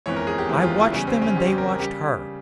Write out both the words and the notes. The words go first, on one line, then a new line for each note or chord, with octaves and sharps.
I watched them and they watched her.
G1 F2 E3 G#3 C#5
A#4
G#4
G4
G1 F2 E3 G#3 G4
F4
E4
E2 C#3 G3 C#4
C4
C#4
E2 C#3 G3 G4
G4
A#4
A#4
C#3 G3 G4